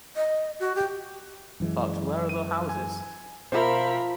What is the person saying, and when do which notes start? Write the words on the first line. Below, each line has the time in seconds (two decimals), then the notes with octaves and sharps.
But where are the houses?
0.16 D#5
0.60 F#4
0.75 G4
1.60 F#2 E3 G#3
2.29 D#7
2.69 G#5
3.52 B2 F3 F4 A#4 C5 E5 B5